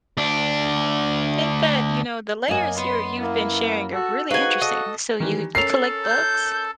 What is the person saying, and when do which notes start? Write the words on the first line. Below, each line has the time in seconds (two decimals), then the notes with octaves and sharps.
Think that, you know, the layers you're you've been sharing are really interesting, so you you collect bugs?
0.17 D2 D4
2.48 F#2 A#3 D#5 G#5
2.78 B3 C6
3.19 A#3 E4
3.93 F#4 A4
4.31 D#4 F#4 G#4 B4 C5 F5 G#5
4.62 A4 D#5
5.20 D#3 E3 G3
5.55 C#4 A4 A#4 C7 F7
6.05 G6